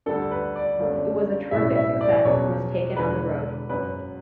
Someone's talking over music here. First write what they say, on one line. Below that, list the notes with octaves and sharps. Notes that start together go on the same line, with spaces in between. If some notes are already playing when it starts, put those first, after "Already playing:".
It was a terrific success and was taken on the road.
D2 D3 G3 D4 A4
B4
D5
G1 F#2 D3 A3 D4
B1 A2 G3 C#4 E4 E5
E5
D5
E2 B2 F#3 C#4 C#5
E1 E2 D3 B4
F#1 F#2 C#3 F#3 B4